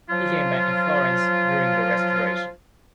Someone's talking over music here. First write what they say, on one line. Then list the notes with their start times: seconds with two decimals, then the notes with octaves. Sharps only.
He came back in Florence during the Restoration.
0.10 F3 F#3 F4